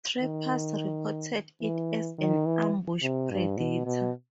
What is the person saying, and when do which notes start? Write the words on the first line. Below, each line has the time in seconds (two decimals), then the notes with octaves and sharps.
Trappers reported it as an ambush predator.
0.22 D#3
1.62 E3
2.18 D#3
2.46 E3
3.02 C3
3.31 G2
3.58 B2
3.86 B2